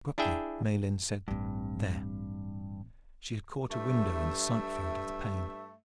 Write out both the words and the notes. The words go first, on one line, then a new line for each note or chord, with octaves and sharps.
Abruptly Miellyn said, "There." She had caught a window in the sight field of the pane.
D4 E4 G#4 E5 G5
A1 G2 C4
G2 A3 E5